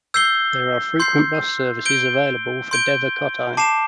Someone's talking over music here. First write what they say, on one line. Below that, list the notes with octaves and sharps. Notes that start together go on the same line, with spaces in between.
There are frequent bus services are available for Devakottai.
E6 G6 C7 G7
C6 G6 C7
G6 D7 G7
C6 G6 D7 G7
A5 D6 C7 E7